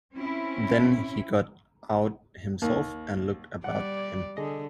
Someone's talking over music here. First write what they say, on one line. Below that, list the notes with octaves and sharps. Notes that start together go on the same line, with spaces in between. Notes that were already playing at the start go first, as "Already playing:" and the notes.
Then he got out himself and looked about him.
C4 C#4 E4
D#2 A#3
G3 D5 F#5
D3 G#4 D#5